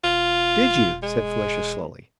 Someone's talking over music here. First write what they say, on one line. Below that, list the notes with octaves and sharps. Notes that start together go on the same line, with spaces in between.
"Did you?" said Felicia slowly.
E1 F4
G#3